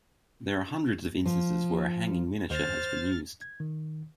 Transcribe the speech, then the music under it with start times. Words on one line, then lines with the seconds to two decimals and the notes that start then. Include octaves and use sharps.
There are hundreds of instances where a hanging miniature has been used.
1.26 F3
2.50 D#2 C5 F6 A6
3.41 G#6
3.60 D#3